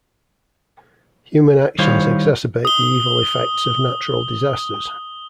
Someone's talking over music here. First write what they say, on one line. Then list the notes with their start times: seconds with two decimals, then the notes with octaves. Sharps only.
Human actions exacerbate the evil effects of natural disasters.
1.79 D#3 G3 E4 C5 C#5 F5
2.65 D#6 G7